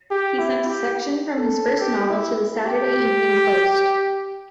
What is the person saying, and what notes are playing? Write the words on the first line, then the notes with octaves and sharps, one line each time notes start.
He sent a section from his first novel to "The Saturday Evening Post".
G4
E4
G4
A4
G4
E4
G4